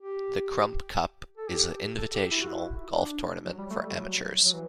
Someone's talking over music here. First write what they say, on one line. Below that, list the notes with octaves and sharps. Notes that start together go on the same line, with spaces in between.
The Crump Cup is an invitational golf tournament for amateurs.
G4
A4
G4
A4
G4
E4
F#4
E4
D4
F#3
G3
A3
G3
F#3
F#3
E3